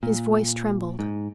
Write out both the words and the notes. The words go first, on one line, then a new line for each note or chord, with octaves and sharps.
His voice trembled.
A#2
G#2